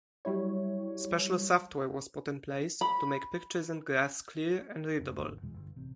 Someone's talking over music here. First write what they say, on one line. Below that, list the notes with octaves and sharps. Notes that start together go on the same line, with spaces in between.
Special software was put in place to make pictures and graphs clear and readable.
F#3 G3 E4 C#5
B5
F1
G#1 E2
E2 B2 E3 G#3
G1
A1 C3